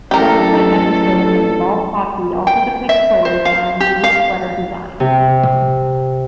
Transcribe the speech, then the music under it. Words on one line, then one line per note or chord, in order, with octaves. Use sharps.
Subsequent episodes that involve hockey also depict players wearing these sweater designs.
A1 F#3 G4 A4 A#4
G5
E5
C5
F5
G4
F5
C3